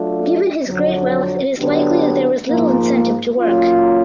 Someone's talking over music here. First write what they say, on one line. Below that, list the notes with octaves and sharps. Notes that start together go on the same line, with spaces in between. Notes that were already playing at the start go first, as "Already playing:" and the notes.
Given his great wealth it is likely that there was little incentive to work.
Already playing: F#3 A3 D4 F4 A4
F2 D3 F#3
D3 F#3 B3 D4 G4
G#2 F3 A#3
F#3 A#3 C#4 F4